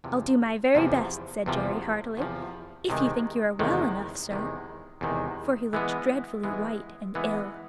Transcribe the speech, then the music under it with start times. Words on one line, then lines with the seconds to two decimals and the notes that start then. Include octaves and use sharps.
"I'll do my very best," said Jerry heartily, "if you think you are well enough, sir," for he looked dreadfully white and ill.
0.04 E2 C3 F3
0.75 E2 C3 F3
1.46 E2 C3 F3
2.17 E2 C3 F3
2.89 E2 C3 D#3 G#3
3.59 E2 C3 D#3 G#3
4.31 E2 C3 D#3 G#3
5.01 E2 C3 D#3 G#3
5.73 E3 G#3 B3
6.44 E3 G#3 B3
7.15 E3 G#3 B3